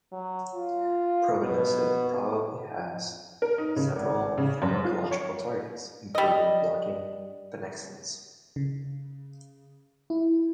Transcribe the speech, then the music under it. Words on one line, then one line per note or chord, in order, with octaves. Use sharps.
Probenecid probably has several pharmacological targets, including blocking pannexins.
F#3
F4
B2
A#4
D#4
C#3
G#1
C#3
F#2
F4
C#5
G3 D#5
C#3
E4